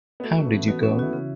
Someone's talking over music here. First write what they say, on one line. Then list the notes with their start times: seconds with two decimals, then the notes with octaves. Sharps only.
How did you go?
0.20 B3
0.24 A3 F#4
0.38 C#4
0.47 B3
0.54 E3
0.68 B3 F#4
0.79 A3 C#4
0.91 B3
0.99 E4 F#4
1.13 C#3